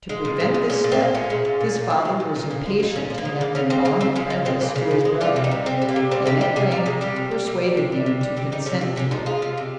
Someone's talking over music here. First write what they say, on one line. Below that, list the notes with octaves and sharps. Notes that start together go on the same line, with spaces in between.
To prevent this step, his father was impatient to have him bound apprentice to his brother, and at length persuaded him to consent to it.
G#3
A#2
G#3
A#2
G#3 C#4
A#2
C4
G#3
A#2 C#4
G#3
A#2
A#2
A#2
F3
G#3
A#2
A#2
F3
G#3
A#2 D#4
A#2 C#4
F3
A#3
G#3
C#3 A#3
C#3 C#4
F3 C4
G#3 A#3
C#3 C4
C#3 C#4
F3 C#4
G#3 C4
C#3 A#3
C#3
F3
G#3
G3 F4
C3
D#4
G3
C3 C4
G3
A#3
C3
G3 C4
C3 G4
G3 G4
C3 G#4
G3 A#4
C3 G#4
G3 G4
C3
G3
C3
G3
C3
G3
C3
G3
C3 G4
G3 D#4
C3 C#4
C3
C3 C#4
F3 D#4
G#3 F4
C3
C3